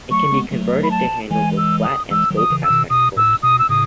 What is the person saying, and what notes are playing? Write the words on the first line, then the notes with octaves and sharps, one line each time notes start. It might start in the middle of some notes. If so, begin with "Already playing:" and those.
It can be converted to handle both Flat and Scope aspect films.
F#3 A3 C#6
G#3 B3
F#3 A3
B5
A5
E3 G#3 G#5
E6
D#6
E3 G#3 E6
D#3 F#3
D#6
C#3 E3
E6
B2 D#3
B2 D#6
A2 E6
B2 D#6
E6
A2 C#3 D#6